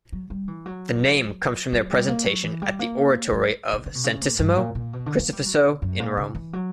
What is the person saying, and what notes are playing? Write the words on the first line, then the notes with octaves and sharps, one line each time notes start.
The name comes from their presentation at the Oratory of Santissimo Crocifisso in Rome.
F#3
G3
E3
F#3
F#3
G3
A#3
F#3
E3
G3
A#3
F#3
D3
D3
B2
C#3
A#2
G2
A#2
A#2
B2
D3
A#3
G3
F#3
B2
F#2
A#2
C#3
E3
F#3